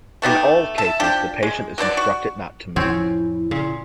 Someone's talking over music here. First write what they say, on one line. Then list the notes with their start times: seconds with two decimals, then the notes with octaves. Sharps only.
In all cases, the patient is instructed not to move.
0.22 A3 B3 D#4 G4
0.78 E5 A5
1.00 F3 D4 G4
1.43 G#3
1.78 F#3 D4 C5 D5
1.97 F#4
2.76 F2 A2 F3 C4 C#4 E4
3.51 A#2 C#3